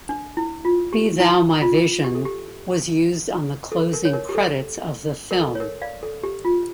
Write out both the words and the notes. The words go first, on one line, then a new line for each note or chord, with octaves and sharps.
"Be Thou My Vision" was used on the closing credits of the film.
D4
E4
F4
G4
E4
F4
G4
A4
G4
A4
A#4
C#5
A#4
G4
A4
A#4
A4
C#5
A#4
D5 F5
A4
G4
F4